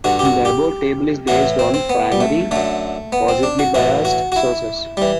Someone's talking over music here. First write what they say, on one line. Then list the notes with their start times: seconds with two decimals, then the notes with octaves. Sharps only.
The above table is based on primary, possibly biased, sources.
0.04 G2 D3 F#4
0.19 G4
0.25 F#4
0.45 G4
1.27 A2 E3 F#4
1.59 C4
1.74 C4
1.89 B3
2.12 G3
2.20 A3
2.51 F#2 D3 A3
3.12 B3
3.28 C4
3.43 D4
3.59 F#4
3.74 A2 E3 F#4
4.05 F#4
4.32 F#4
4.36 E4
4.97 E3 G3